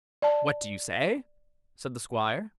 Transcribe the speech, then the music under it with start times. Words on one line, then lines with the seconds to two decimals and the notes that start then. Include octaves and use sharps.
'What do you say?' said the Squire.
0.22 D5 A5